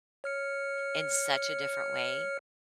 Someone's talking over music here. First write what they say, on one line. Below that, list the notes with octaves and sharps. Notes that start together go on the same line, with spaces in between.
in such a different way.
C#5 F6 C#7